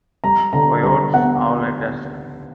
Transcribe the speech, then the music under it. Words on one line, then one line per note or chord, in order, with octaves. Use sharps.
Coyotes howl at dusk.
G3 A#5
D3 A#5
G3 A#5
B3 F#5